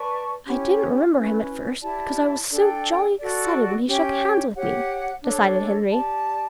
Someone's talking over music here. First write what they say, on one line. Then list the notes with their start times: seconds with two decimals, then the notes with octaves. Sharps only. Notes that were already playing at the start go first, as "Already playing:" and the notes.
"I didn't remember him at first, because I was so jolly excited when he shook hands with me," decided Henry.
Already playing: B4 D5 A5 C#6
0.46 C#4 E4 G4 C#5
1.14 C#4 E4 B4
1.82 E4 G4 D5 A5
2.51 D4 A4 D5 G5
3.19 F#4 A4 D5
3.87 C#4 G4 C#5 G5
4.55 G4 C#5 F#5
5.23 D4 A4 C#5
5.91 G4 D5 A5